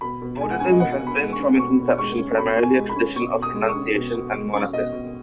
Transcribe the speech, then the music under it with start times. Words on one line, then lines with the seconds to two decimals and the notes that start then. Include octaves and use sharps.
Buddhism has been from its inception primarily a tradition of renunciation and monasticism.
0.01 B2 B5
0.22 B2
0.41 G#3 G#5
0.51 F#5
0.60 C#4 G#5
0.72 D#5
0.80 B2 F#5
0.99 B2
1.07 B5
1.20 G#3
1.32 C#6
1.39 C#4
1.58 B2 C#6
1.79 B2
1.98 G#3 C#6
2.18 C#4
2.37 B2 B5
2.57 B2
2.63 G#5
2.76 G#3
2.89 B5
2.96 C#4
3.16 B2 C#6
3.35 B2
3.42 D#6
3.55 G#3
3.68 C#6
3.75 C#4
3.95 B2
4.14 B2
4.33 G#3
4.54 C#4
4.73 B2 D#5
4.92 B2